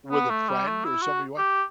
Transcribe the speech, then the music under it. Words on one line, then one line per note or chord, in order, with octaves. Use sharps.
with a friend, or somebody you want,
B3
A3
G3
A3
E4
F#4
G4